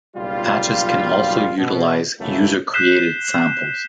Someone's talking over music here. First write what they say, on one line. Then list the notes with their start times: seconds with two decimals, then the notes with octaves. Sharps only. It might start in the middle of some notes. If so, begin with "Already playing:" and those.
Patches can also utilize user-created samples.
0.16 F#1 B1 G3 F4
1.58 B2
2.20 G#1 C#2 F#2 A3 A#3 E4
2.74 F#6 G6 B6 C7 E7 G7